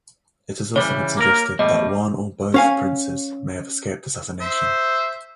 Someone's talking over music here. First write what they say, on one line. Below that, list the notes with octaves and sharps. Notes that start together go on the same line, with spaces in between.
It has also been suggested that one or both princes may have escaped assassination.
C#3 E3 G3 C#5
A#3 A#4
E2 A2 G3 D#5
C#4 F5 G#5
C5 E5